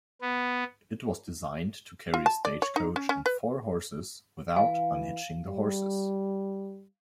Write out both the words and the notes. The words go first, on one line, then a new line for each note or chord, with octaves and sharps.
It was designed to carry a stagecoach and four horses without unhitching the horses.
B3
F4
A5
D5
C#5
D#4
C#4
C#4
B4
E3 F5 G#5
G3